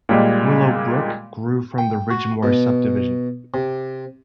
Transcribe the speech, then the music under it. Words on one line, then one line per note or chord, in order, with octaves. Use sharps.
Willowbrook grew from the Ridgemoor subdivision.
A#2 G3 G#3
G5
F#4
B2
C3